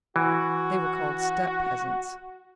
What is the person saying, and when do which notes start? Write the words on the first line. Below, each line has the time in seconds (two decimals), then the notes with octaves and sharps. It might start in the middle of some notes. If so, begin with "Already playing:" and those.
They were called steppe peasants.
0.16 E3 F#4